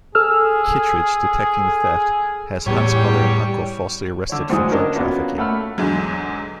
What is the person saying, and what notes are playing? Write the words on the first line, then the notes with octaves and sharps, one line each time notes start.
Kittridge, detecting the theft, has Hunt's mother and uncle falsely arrested for drug trafficking.
G#4 A4 E6 F6
E2 A2 G3 G4 C#5
D3 C#5
D2 G#2 E3 G#3 D#6
C#4 D4 A#4 D#5 A5
A#3 B3 C#4 F4 F#4
A3 F#5 B5 F6
E2 G#2 D3 F#3